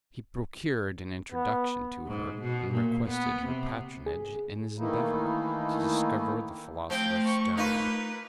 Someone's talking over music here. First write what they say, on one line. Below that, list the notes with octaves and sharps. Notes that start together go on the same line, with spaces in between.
He procured an introduction to her, and requested her patronage in his endeavour to discover the philosopher's stone.
B3
G#2
B2
A#2
B3
C3
G#4
D#3 E3 A3 A#3 D#4 E4
F3 A3 C4 C5 G5
C#6
A#3 D#4 F4 B4